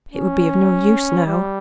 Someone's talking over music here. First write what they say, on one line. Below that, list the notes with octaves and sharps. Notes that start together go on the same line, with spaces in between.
It would be of no use now.
C#4
G3